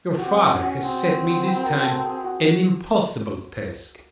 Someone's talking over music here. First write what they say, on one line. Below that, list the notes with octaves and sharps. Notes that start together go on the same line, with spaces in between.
Your father has set me this time an impossible task.
C4 F#4 G4
F#4
C#4
F#4
C4 G#4
C#5
C5
B4
B4
A#4
A4
G#4
F#4